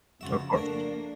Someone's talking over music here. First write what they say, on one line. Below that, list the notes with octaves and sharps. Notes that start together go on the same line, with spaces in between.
Of course.
F2 C#3 F4 F#4 E5
F2 A3 A#3 D4 A#4